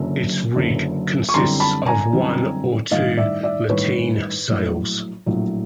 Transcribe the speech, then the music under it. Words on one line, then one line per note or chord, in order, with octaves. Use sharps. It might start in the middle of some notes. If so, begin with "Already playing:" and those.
Its rig consists of one or two lateen sails.
Already playing: F#1 F#2 D3 F#3
F#1 F#2 D3 F#3
C#6
F#2 D3 G3 C4 E4 A#5 C6
A5 B5
G#5 A#5
F#2 D3 G3 C4 E4
A1 G2 D#3 D#5 F5
D5 E5
D5 E5
A1 G2 D#3 B4 C#5
A#1 A2 F#3
A#1 A2 F#3